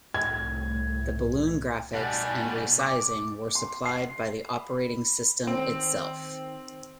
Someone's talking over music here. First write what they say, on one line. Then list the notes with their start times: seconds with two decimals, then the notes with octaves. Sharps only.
The balloon graphics and resizing were supplied by the operating system itself.
0.14 C2 A2 G#6
1.94 B2 G3 D#4 D5 F#5 G#5 A5
2.79 D6
3.55 C6
3.86 C7
4.43 B5
5.47 D#3 C4